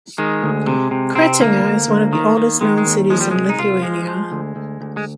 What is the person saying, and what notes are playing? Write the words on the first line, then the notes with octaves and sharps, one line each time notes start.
Kretinga is one of the oldest known cities in Lithuania.
D#3 G#3
D2
C3
C3
C3 C4
D2 A#3
D2
D2
D#3
D#3
D#3 G#3
G#3
D#2
F3 G#3
G3
C2 G#3
D#4
C2 F4
F3 G#3
F3
D2
D2
D2
G#3